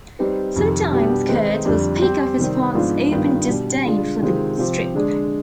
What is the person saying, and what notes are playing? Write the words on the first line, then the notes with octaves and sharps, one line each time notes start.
Sometimes Kurtz will speak of his father's open disdain for the strip.
G3 C4 D#4 G4 B4
F2 C3 D#3
B2 G3 B3 D4 G4
D#3 G#3 C4 D#4 B4
F2 D3 G3 D4
G3 C4 G4 C5
C3 D#3 G3 C4
G#2 F3 B3 D4 F4
G2 D#3 B3 F4
B2 G3 D4
D3 G#3 D4 F4
C3 D#3 G#3 C4 F4
C3 F3 C4 G4
D3 G#3 D4